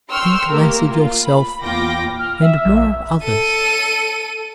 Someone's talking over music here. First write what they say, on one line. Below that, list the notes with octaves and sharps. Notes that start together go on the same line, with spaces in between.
Think less of yourself and more of others.
G5 C6 C#6 E6 F6
A3 A#3 G4 A#4
F4
B5
E2 A#2 F4 G5 D6 A#6
F6
E5
A#1
A4 D#7